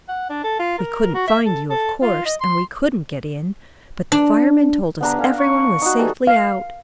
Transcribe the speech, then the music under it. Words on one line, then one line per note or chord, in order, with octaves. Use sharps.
'We couldn't find you, of course--and we couldn't get in--but the firemen told us every one was safely out.
F#5
D4
A4
F4
A#4
F#4
E5
A4
A4
F4
D#5
C6
D4
G2 C#3 B3 D4 A#5
D3 C#4 F5
C#6
D#4 F#4
E3 G3 A4
F5